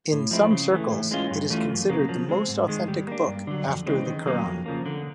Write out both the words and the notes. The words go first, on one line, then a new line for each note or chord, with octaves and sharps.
In some circles, it is considered the most authentic book after the Quran.
A2
F3 G#3 C4 E4
C#3
E3 A3
A2
E3 G#3 C#4 F4
G2
E3 A3 C#4 F4
F#2
C#3 F#3 A#3
F3
G#3 C4
G#2
D#3 G#3
G3
A#3 D4
G2
D3 F#3
F2
C#3 E3 G#3 C4
D#3
F#3 A#3 C#4
F2
C#3 F3 A#3
D3